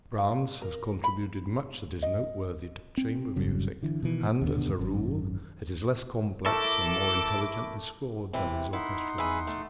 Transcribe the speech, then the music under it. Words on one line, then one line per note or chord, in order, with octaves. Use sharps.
Brahms has contributed much that is noteworthy to chamber music, and, as a rule, it is less complex and more intelligently scored than his orchestral music.
F5
A#4
B5
D#5
C4
F#1 G2 C#3 F#3
D3 E3
B2 D#3 E3
D#2 B2 D3
G#1 F#2
A3 E4 A4 A#4 A5 D6 E6
C3 E3
D#4 E4 F#5 C6
G#4 B4 E5
A3